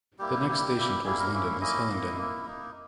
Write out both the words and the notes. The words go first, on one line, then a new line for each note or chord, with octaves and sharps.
The next station towards London is Hillingdon.
G3 A#3 E4 G4
G4
G3 A#3 E4 G4
G4
G3 A#3 E4
G3 A#3 E4 G#4
A#4
A#3 C#4 E4
A#3 C#4 E4 D#5
A#3 E4
A#3 E4
A#3 D#4